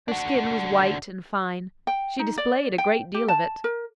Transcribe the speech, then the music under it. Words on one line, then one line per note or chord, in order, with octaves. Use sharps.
Her skin was white and fine; she displayed a great deal of it.
D4 F#4
G5
D#4
D5
G5
G4
A5
A#4